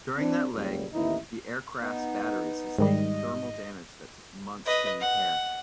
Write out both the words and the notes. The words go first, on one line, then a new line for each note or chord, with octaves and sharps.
During that leg, the aircraft's batteries sustained thermal damage that took months to repair.
C4 D4
F#1 C#2 G3
A1 D#2 B3 D#4 E4
B3 D#4
G#2 D#3 G3 D#5
B4 D#5
F#5